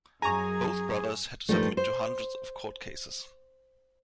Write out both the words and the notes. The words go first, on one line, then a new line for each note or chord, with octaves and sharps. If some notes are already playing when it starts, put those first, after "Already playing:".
Both brothers had to submit to hundreds of court cases.
F#2 G#4 G#5 A#5 C#6
G2 D#3 F3 G3 A3
C5